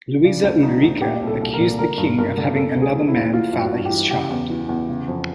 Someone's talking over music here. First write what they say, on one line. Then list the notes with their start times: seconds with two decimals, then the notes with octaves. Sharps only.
Louisa Ulrika accused the king of having another man father his child.
0.24 C#3 D4
0.43 D2
0.63 E3 D#4
0.82 D2
1.01 A#2 G4
1.22 C2
1.27 A4
1.40 C2
1.54 A#4
1.59 A#2
1.79 D3 A#4
1.98 G2
2.18 G2 A#4
2.37 D3
2.56 C#3 A4
2.76 D2
2.82 G#4
2.95 E3
3.08 E4
3.15 D2
3.33 E3 F4
3.53 G2
3.60 F#4
3.72 G2
3.85 G4
3.91 E3
4.10 C#3 G4
4.30 E2
4.50 E3
4.69 E2
4.89 C#3
5.08 F2